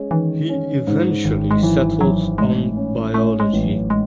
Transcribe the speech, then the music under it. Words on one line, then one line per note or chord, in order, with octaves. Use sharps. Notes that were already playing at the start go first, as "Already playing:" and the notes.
He eventually settled on biology.
Already playing: G#3 C#4
D#3 E3
C#4
G#2
G#1
G#3
E3 F#3
E3 F#3
A2 G#3
C#4
A3 C#4
G#3
A1
F#3
G#3